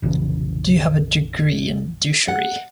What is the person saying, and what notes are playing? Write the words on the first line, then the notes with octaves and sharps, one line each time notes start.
Do you have a degree in douchery?
F1 A#1 C#3 E3
F#5